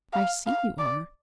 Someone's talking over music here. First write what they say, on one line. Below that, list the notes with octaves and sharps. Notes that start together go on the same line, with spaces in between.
I see you are.
F5
F5
D5